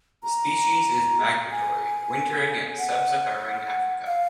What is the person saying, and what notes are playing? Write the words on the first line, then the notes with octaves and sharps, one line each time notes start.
The species is migratory, wintering in sub-Saharan Africa.
A#5
G#5
F#5
F5